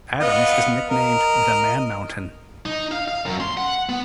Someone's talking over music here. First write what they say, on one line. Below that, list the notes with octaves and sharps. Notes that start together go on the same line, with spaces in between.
Adams is nicknamed "The Man Mountain".
B3 F4 D#5
A#4 D#5
D#4
F5
F5
F#2
C6
F#5
B3